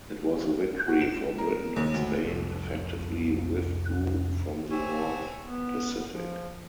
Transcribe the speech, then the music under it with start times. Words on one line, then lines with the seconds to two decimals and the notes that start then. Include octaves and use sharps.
It was a victory for Britain and Spain effectively withdrew from the North Pacific.
0.88 F#4
1.01 E7
1.38 A#4
1.76 D#2
1.94 D2
2.25 F1 C2 F2
4.71 C4 G4 C5 C#5 E5 G#5
5.43 B3
6.07 F3